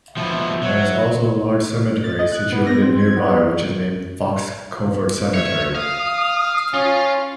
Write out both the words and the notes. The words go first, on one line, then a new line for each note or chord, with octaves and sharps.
There is also a large cemetery situated nearby which is named Fox Covert Cemetery.
B2 F3 E5
F#3
A6
D#5
F#6
B3
A#6
C4
G#6
B3
C#5 E5
F5 D#6
C#4 F4